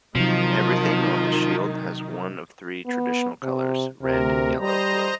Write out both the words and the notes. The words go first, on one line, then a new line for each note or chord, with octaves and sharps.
Everything on the shield has one of the three traditional colours: red, yellow, blue.
C3 D#3 F3 F#3 D#4
B3
C3
D2 C3 A#4
G3 C5 D#5 A#5